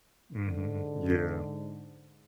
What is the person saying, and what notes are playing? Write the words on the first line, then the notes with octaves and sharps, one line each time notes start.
Mhm, yeah.
G#2 D3